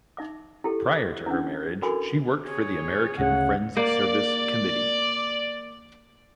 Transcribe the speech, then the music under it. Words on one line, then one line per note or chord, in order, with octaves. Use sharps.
Prior to her marriage she worked for the American Friends Service Committee.
D#4 E5 D6
E4 G4 A4
C#4 D4 E4
F#4 A4 A#4 G#5 B5 D6
G#4 C#5
D2 C#3 F#5
A#3 D5